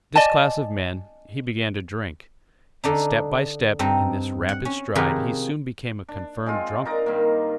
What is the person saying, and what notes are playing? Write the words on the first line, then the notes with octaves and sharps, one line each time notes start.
With this class of men he began to drink, and step by step in this rapid stride he soon became a confirmed drunkard.
D5 D#5 G#5 A5
D3 D4 D#4
G2 C4 D#4
F#5
C#4
C3 D#3 F3 G#4 A#4 B4
D4
G#3 C4 F4
D#4 A#4 D5 A#5
G2 D#3 A#3